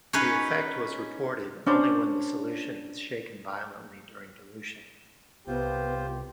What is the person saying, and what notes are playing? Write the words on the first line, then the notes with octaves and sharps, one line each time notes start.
The effect was reported only when the solution was shaken violently during dilution.
C#4 D#4 G#4 B4 C#5
C#4 D4 C5
C2 B3 F4 G4 C5